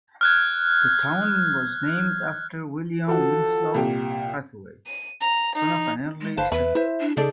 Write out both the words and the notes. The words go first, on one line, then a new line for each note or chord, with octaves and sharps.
The town was named after William Winslow Hathaway, son of an early settler.
F6 F#6 G#6
F3 F#4 A4
C2 A#2 G4
D#7
A#5
D#4
G#3
G1 B4 C5 F5 A5
E2 B4 E5 B5
E4 C5 E5
D4
C#3 D#4 G#4 A4 D5